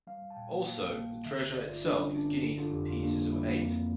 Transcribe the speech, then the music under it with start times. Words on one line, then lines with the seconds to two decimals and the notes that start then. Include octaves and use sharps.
Also, the treasure itself is guineas and pieces of eight.
0.07 G3 F5
0.22 G3
0.30 A5
0.36 A#2 G5
0.51 A#3
0.66 A#3 F5
0.80 A#1
0.96 A#3
1.10 A#3
1.25 D3 E5
1.40 G1
1.54 G1 D5
1.69 G1 F4
1.84 G3 D4
1.99 D3 C#4
2.14 G1 D4
2.28 G1 D4
2.43 D3 E4
2.58 D3 F4
2.72 F2 G4
2.88 F2 F4
3.03 A#3 D4
3.18 G3
3.32 G3 E4
3.47 A#3
3.62 F2